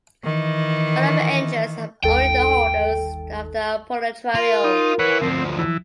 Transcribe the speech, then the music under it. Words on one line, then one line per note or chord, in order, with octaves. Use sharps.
Right of entrance have only the holders of the "Apolytirio".
D#3 E3
G1 D#2 A4 G5
F4 A#4
D#4
E3 B4 C#5 F#5
D2 F3 C4
E3